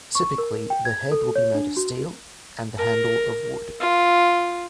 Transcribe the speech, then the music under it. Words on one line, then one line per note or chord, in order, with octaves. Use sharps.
Typically the head will be made of steel and the handle of wood.
C#6
A#4
G5
G#6
A4
C#5
D4
F#4
A#4
F4